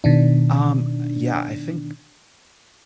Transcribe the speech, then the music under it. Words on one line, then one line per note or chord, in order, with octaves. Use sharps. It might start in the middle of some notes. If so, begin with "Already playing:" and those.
Um, yeah, I think
B2 D#3 D4